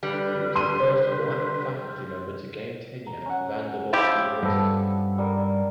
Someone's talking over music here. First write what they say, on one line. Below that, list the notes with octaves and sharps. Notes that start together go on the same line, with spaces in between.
He was the first Black faculty member to gain tenure at Vanderbilt University.
D3 G3 B4
C6 D#7
A#5
C#4 F#5
F3 E4 G4
G2 B3 A4 B4
G3 A#4